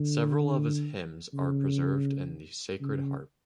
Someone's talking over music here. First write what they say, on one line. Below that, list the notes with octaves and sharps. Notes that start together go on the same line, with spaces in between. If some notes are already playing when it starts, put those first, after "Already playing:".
Several of his hymns are preserved in the Sacred Harp.
Already playing: D3
C#3
C#3